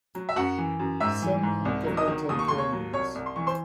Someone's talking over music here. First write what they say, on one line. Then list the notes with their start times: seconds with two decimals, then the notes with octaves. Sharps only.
Some are government employees.
0.15 F#3
0.29 E5
0.36 F#2 F#4 F#5
0.58 E3
0.79 F#2
1.00 G#2 E5 E6
1.22 E3
1.43 G#2
1.65 C2
1.86 F#3
1.97 D#5 D#6
2.08 D#3
2.29 D#2 D#6
2.39 C#6
2.48 D#2 C6
2.58 C#5 C#6
2.72 F#3
2.93 C2 C#5 C#6
3.15 C2
3.26 C6
3.36 E3 C#6
3.47 C5 C6